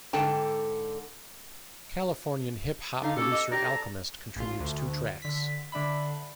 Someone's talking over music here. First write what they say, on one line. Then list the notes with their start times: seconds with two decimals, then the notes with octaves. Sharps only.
Californian hip-hop producer Alchemist contributes two tracks.
0.13 G#2 D3 A4 G5 A5
3.02 D3 D#4 F5
3.17 A#3 C#4 G4 A4
3.32 D#5
3.51 G4 D5 A#5
3.66 A4
4.36 A1 F4
4.60 D2
5.22 D3 B6
5.72 D3 D4 E5 B5